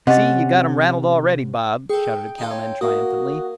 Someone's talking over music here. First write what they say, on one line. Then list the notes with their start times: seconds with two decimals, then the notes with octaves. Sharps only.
"See, you've got him rattled already, Bob," shouted a cowman triumphantly.
0.07 C3 C#4 D#5 F#5 A6
1.90 G#4 A4 G5 C#6
2.38 D#4 F4 A4
2.51 C#5
2.81 A#3 F#4 D#6